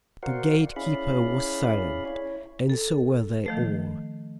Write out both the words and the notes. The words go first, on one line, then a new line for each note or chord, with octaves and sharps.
The gate-keeper was silent, and so were they all.
F#4 A#4 C5 D5 F5 F#5
C#4 E4 G#4 D5 F5 B5
E4 C#5
A4
D#3 F3 A3